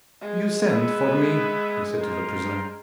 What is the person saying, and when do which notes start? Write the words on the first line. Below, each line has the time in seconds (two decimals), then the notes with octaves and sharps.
"You sent for me?" he said to the prisoner.
0.21 G#3
0.70 B3 B4 E5
2.01 F4 A#4 C5